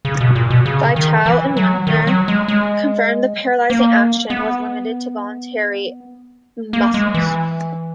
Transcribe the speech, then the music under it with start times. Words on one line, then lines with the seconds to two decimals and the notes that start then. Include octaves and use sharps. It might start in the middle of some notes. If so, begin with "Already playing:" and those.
Virchow and Munter confirmed the paralyzing action was limited to voluntary muscles.
0.05 C#3
0.21 B2
0.35 A#2
0.50 B2
0.66 C#3
0.96 D#3
1.26 E3
1.57 F#3
1.87 D#3
2.07 F#3
2.28 G#3
2.48 G#3
3.70 A#3
4.30 B3
6.73 A#3
6.94 G#3
7.14 E3